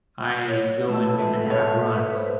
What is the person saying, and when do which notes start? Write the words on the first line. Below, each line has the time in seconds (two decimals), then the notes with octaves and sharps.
I go and and have runs,
0.48 C#5
0.88 E3 A3 A5 E6
1.19 F3 G#3 A3 B4
1.51 C#5
2.15 C5